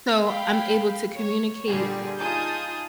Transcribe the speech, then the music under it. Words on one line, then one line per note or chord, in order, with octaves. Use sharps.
so, I'm able to communicate
F5 G5 B5
C#5
A#2 D3 G3 G#4
D#4 F4 G#4 A5 D#6 G6